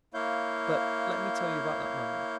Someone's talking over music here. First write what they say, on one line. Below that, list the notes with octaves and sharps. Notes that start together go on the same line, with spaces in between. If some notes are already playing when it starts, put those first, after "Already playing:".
But let me tell you about that mummy.
A#3 E4 C#5 F5 G6